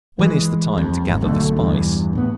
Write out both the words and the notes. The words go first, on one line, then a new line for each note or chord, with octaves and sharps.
When is the time to gather the spice?
E3 G#3
F2
G#1 G#2
B1 B2 D3 A3
E2 G2
A2 B3